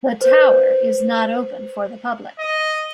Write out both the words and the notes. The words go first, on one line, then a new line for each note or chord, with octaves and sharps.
The tower is not open for the public.
B4 C5
D#5